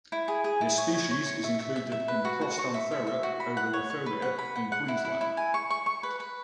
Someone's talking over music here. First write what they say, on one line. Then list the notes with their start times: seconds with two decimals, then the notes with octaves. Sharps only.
This species is included in "Prostanthera ovalifolia" in Queensland.
0.12 E4
0.28 G#4
0.44 G#4
0.61 E4
0.78 C#5
0.94 C#5
1.11 C#5
1.26 C#6
1.43 E5
1.60 E5
1.76 E5
1.92 E5
2.08 B4
2.25 F#4
2.41 F#4
2.59 C#6
2.74 E5
2.91 E5
3.07 E5
3.23 F#4
3.40 B5
3.57 F#5
3.73 C#5
3.90 C#5
4.06 B4
4.22 F#5
4.38 B5
4.56 F#5
4.72 F#5
4.88 E4
5.05 E4
5.21 E4
5.37 G#5
5.54 C#6
5.70 C#6
5.86 C#6
6.03 B4
6.20 B4